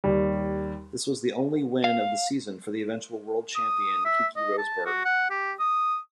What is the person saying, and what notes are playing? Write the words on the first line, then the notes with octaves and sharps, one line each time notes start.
This was the only win of the season for eventual World Champion Keke Rosberg.
D#2 G3
F5
D#6
E5
D#5
A5
F#4
F#5
G4
D#6